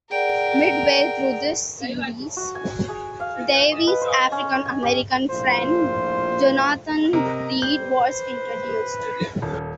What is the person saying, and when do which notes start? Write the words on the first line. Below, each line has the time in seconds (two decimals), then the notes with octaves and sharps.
Midway through this series, Davey's African-American friend Jonathan Reed was introduced.
0.10 G#4 A#4 D5 F#5 G5
2.37 F#4
2.55 G#5
2.88 G#4
3.20 F5
3.72 D#5
3.87 B4
4.01 C5
4.32 C#4
4.65 G#5
4.83 G4
5.29 A#1 A2 F4 C5
7.13 C3 A#4 D#5 A#5
7.62 G3 C5 G6
8.08 B4
9.42 D#1 C#4 A4